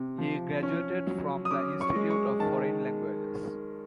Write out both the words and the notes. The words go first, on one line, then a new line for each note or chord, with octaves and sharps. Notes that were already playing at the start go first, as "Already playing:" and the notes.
He graduated from the Institute of Foreign Languages.
Already playing: C3
F3
C#4
F#3
D#6
C#4 D6
C#6
G#3
C#6
D#3 A5